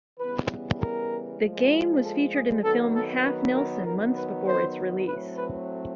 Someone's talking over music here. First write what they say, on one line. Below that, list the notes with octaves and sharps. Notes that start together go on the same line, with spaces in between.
The game was featured in the film "Half Nelson" months before its release.
C#3 E3 G3 B3 B4
A#4
A#2 F3 G#3
A4
G#4
D#3 F#3 B3 A4
A4
B4
A#4
D#3 F#3 B3 A#4
B4
C5
A2 F#3 A3 C4 B4
B4